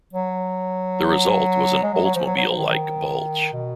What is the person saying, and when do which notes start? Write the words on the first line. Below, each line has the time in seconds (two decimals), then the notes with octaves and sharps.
The result was an Oldsmobile-like "bulge".
0.13 F#3
1.83 G#3
1.94 F#3
2.04 F#3
2.15 F3
2.25 F#3
2.36 F#3
2.49 F3
2.57 D#3
2.68 D#3
3.53 B2